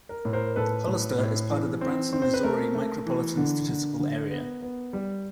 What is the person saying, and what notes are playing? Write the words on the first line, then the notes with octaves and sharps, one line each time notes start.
Hollister is part of the Branson, Missouri Micropolitan Statistical Area.
A#4
A2
A#4 C5
A2 A4 B4
A2
A2
E3
C4
C4
C5
B4
A3 A#4
A3
E3
D3
D3
D3
B3
B3
G3